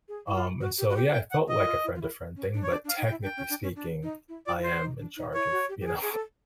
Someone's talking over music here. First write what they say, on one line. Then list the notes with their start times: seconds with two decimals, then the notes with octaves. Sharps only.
Um, and so yeah, it felt like a friend-to-friend thing, but technically speaking, I am in charge of, you know
0.08 G#4
0.28 E4
0.35 F4
0.61 F#4
0.78 G4
0.90 F#4
0.96 G4
1.13 G5
1.31 F#5
1.49 D#5
1.57 E4
1.66 F4
1.84 E4
1.95 F4
2.01 E4
2.36 C#4
2.54 D4
2.64 C#5
2.71 D4 D5
2.84 D4
2.89 F5
2.98 D#4
3.06 G5
3.10 E4
3.23 D4 G5
3.37 C#4
3.50 D4
3.63 C#4
3.76 D4
4.03 D#4
4.29 E4
4.46 F4 D5
4.57 E4
4.64 F4 C5
4.81 D#4
4.99 D4
5.17 D#4
5.34 E4 C#5
5.52 F#4
5.69 G4
5.81 G4
5.87 G#4
6.02 G#4
6.12 A4